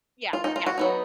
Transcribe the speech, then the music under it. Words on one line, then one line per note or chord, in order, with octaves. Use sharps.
Yeah, yeah.
F4
D#4
F4
F#4
F#3 B3 D#4